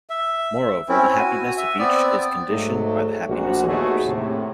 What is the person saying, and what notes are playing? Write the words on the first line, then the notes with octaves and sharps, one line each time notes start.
Moreover, the happiness of each is conditioned by the happiness of others.
E5
C4 C#4 E4
F#4 G#5
E5
B3 C4 D5
G#2 F#3 G#3 A3
A#1 A#2 F#4
D#2 A3 B3 F#4 G#4
A2 C3